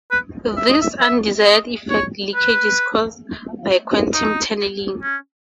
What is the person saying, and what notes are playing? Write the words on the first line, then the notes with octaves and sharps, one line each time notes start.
This undesired effect, "leakage", is caused by quantum tunneling.
B4
E5
D#5
E5
E5
D#5
C#5
B4
D#4
C#4